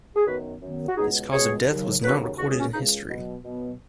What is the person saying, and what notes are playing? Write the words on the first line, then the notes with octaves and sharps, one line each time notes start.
His cause of death was not recorded in history.
G#4
F#2 D#3 B3 F#4 B4
F#2 D#3 B3
F#4
C#2 B2 G#3 B3 D#4 G#4
C#2 B2 G#3 B3 G#4 C#5
D#2 C#3 F#3
D#2 C#3 F#3 F#4 B4
C#2 C#3 G#3 F#4
G#4
C#4 F#4
C#2 C#3 G#3 D#4
B2 F#3 B3
B2 F#3 B3